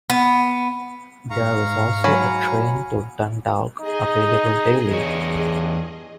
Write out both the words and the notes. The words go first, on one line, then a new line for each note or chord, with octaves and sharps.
There is also a train to Dundalk available daily.
B3
G#2 F5 A#5 C#6
F#3 G#5 B5
D#4 G#4 D#5
E2 G2 C#5